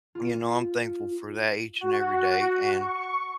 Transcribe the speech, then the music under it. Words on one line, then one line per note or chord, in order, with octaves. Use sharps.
You know, I'm thankful for that each and every day and,
F4
F#4
C#6